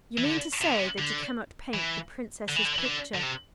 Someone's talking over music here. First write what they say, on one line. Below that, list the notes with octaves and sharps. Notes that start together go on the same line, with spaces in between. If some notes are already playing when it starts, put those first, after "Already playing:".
"You mean to say that you cannot paint the Princess's picture?"
E3
D3
C3
D3
C3
D3
E3
D3
E3
D3
E3
D3
D3
C3